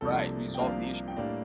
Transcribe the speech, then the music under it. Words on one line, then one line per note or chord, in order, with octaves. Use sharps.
Right, resolved the issue.
C2 C3 F3 A#3 D4 A4
G5
C2 C3 F3 A#3 D4 F5
G5
A2 G3 A#3 D4 F5